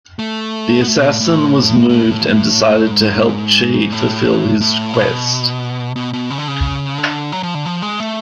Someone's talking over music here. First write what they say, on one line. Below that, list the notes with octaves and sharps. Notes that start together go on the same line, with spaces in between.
The assassin was moved and decided to help Chi fulfill his quest.
A3
B3
A3
B2
A2
A2
A2
G#2
A2
A2
B2
B2
B2
C#3
D3
C#3
D3
F#3
F3
D3
F3
G#3
A3